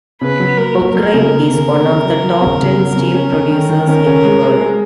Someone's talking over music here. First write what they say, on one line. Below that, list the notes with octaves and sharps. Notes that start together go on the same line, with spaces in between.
Ukraine is one of the top ten steel producers in the world.
C#3 B4
F#3
A#3 A#4
A#3
F#3 A#4
C#3
A#3
C#3
A#3
C#3
F#3
F#3
C#3
C#3
F#3
C#3
C#4
C#4
D#3
D#3
C#4 A#4
C#4
G#3
G#3
G#3